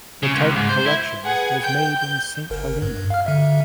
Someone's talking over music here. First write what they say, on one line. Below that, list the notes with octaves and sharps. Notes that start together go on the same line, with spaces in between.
The type collection was made in Saint Helena.
C#3
C#2
G#2
C5
E4
G#4 B4 F#5 G#6
G5 G6
G6
G1 A#4
G2
F5 F6
D3 E5